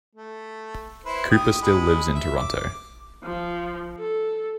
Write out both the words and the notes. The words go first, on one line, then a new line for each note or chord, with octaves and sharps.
Cooper still lives in Toronto.
A3
E4 B4 C5
G4 D#6
G#3 B5 D#6
E5
D6
F3
A4